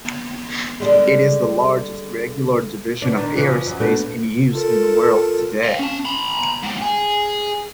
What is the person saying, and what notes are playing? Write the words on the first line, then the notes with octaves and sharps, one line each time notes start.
It is the largest regular division of airspace in use in the world today.
D3 G3 G#3
B2 D4
D#3 D4
E3 F3
F#2
B2 A3 D4
F4 A4 A#4
D#5 F5
C#4 A5
A#5 B5
G#2 G4
G#4